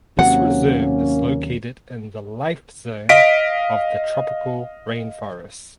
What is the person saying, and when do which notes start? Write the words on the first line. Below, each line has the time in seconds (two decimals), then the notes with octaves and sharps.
This reserve is located in the life zone of the tropical rainforest.
0.19 D#2 C3 F#3 A#3 C#4 F#5
3.09 D#5 F5 B6 D7